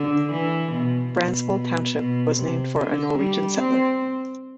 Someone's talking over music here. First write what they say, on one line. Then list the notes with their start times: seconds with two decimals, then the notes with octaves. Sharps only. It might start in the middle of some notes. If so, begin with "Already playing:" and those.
Brandsvold Township was named for a Norwegian settler.
Already playing: D3
0.32 E3
0.72 B2
1.13 B2
1.95 B2
2.36 C3
2.76 D3
3.17 G3
3.58 C4